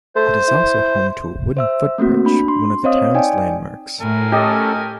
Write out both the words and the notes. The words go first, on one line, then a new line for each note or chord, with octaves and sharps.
It is also home to a wooden foot bridge, one of the towns landmarks.
A3 C5
E4
C5 E5 E6
A3 A#3 C4 F#4
D4 B5
C6
C4 C5 C#5 D#5 F5 D#6
D#4 D5 G5 G#5
A2 A#4 G#5
C#4 G4 A4 D#5 D#6